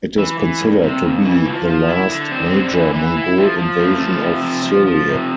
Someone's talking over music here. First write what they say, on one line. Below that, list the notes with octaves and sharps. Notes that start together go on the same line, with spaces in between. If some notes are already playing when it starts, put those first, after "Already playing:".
It is considered to be the last major Mongol invasion of Syria.
E3
E3
G2
C3
F2
E3
F3
F3
E4
D3
C4
D3
E3
E3
E4
F3
F3
A3
F3
C3
F3
F3
F3
C3